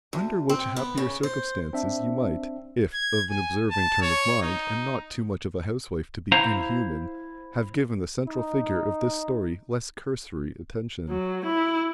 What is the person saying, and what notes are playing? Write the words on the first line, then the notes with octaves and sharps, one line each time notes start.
Under which happier circumstances you might--if of an observing turn of mind and not too much of a housewife to be inhuman--have given the central figure of this story less cursory attention.
D2
C4
B3
C#3
C5
C4 D4 E5
G#6
G#5
A5
C#5
D#4
E4 C5 F5 A#5
D#4
F#3
E4